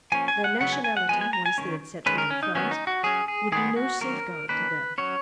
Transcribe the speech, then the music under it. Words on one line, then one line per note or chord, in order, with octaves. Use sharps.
Their nationality, once they had set foot in France, would be no safeguard to them.
F3 A#3 C#4 G#5
G#5
F#5
C#3 F#3 B3 F#5
G#5
G#5
F#5
F3 G#3 B3 G#5
G#5
A#5
G#5
D#3 A#3 C#4
D#3 G#3 C#4 B4
A#4
C#4
D#4
D#3 F#3 B3 C#4
D#4
F#4
F#3 C#4 G#4
G#4
D#3 G#3 B3 G#4
F#4
D#3 F#3 A#3 C#4 A#4
D#3 A#3 C#4 B4
F#3 C#4 C#5